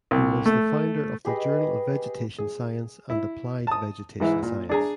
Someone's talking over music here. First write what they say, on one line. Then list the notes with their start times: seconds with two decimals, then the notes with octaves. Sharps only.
He was the founder of the "Journal of Vegetation Science" and "Applied Vegetation Science".
0.11 C2
0.46 A3
1.25 G4 G#4 B4 D#5
2.39 G#4
3.10 E4
3.67 A5 D#6
4.20 G#2 E3 E4
4.43 A#2
4.69 D4 G#4 A#5